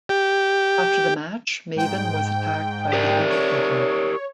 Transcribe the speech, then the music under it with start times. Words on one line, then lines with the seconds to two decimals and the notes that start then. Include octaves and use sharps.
After the match, Maven was attacked by The Undertaker.
0.09 G4
1.76 G#2 G5
2.93 G4 A#4 D5
3.30 C#5